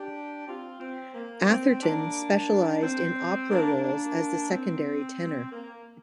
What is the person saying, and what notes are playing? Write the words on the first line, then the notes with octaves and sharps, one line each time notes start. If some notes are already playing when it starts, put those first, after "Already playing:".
Atherton specialized in opera roles as the secondary tenor.
Already playing: D4 G4
C4 F4
C4
A#3
C4
A#3 D4
C4
A#3 D4
A#3 D4
C4
A#3